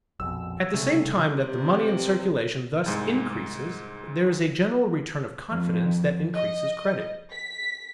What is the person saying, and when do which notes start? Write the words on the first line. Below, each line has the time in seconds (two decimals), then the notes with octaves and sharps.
At the same time that the money in circulation thus increases, there is a general return of confidence that increases credit.
0.20 A#1 F2 B2 E6
0.74 C2 C#3 A3
1.35 G2 C3
2.86 C2 G#2
5.50 F2
6.34 D#5
7.32 B6